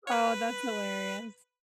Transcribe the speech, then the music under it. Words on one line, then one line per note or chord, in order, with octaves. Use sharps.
Oh, that's hilarious.
C#5
B4